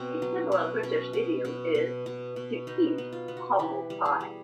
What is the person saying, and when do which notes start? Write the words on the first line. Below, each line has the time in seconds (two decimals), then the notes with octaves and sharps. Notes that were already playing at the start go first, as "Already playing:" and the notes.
A similar British idiom is "to eat humble pie".
Already playing: B2 C4
0.22 F#3
0.52 B2
0.83 B2 C#4
1.13 B2
1.45 B2
1.75 B2
2.06 B2
2.36 B2
2.67 B3 D#4
2.98 B3
3.12 F4
3.28 B3
3.37 F#4
3.59 E3 G4
3.90 G3
4.05 G#4
4.21 G3